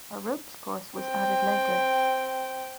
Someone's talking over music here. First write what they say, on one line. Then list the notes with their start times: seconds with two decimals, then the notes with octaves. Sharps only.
A ropes course was added later.
0.98 C4 G5